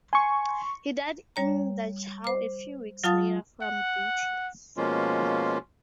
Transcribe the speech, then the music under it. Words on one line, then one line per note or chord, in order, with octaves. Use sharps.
He died in Dachau a few weeks later, from beatings.
G#5 C6 C#6
G3 C#5 A#5
C5 D6
F#3 F4 F5 A5 D#6 A6
F#5
B2 F3 G#3 A#3 C#4 F4